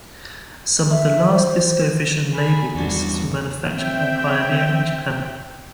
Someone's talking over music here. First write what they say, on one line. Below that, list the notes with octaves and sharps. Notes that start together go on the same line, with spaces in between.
Some of the last DiscoVision label discs were manufactured by Pioneer in Japan.
E5
C5
G#4 B5
E2 G2 D4 F#4
C4 E5 G5